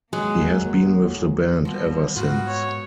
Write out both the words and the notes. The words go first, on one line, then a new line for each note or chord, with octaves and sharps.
He has been with the band ever since.
D#2 F#3 G#3 A#3
B2 F3 G3
G#2 B3 F4 F#4
C#5